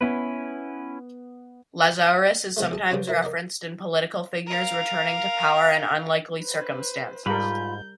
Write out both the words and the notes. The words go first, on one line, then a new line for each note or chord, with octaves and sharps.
Lazarus is sometimes referenced in political figures returning to power in unlikely circumstances.
B3 C#4 E4 B4
B1 F3 G#3 A3
A1 G#4 A5
F3 C#4 D4 F4 G#4 B4
F3 E4 A#4
A#4 D5 D#5 F#5
A#4 F5
B4 C5
G#2 G3 F4 A4 A#4 B5 G6